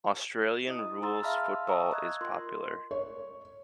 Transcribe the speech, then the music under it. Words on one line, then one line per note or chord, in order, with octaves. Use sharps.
Australian rules football is popular.
E4 D#5 D#6
G#4 A#5 C6 E6 A6
E5 F5 A5 B5 F6
E5 A#5 C#6 D#6 E6
D#5 F#6 G#6
F4 A#4 C6
C#5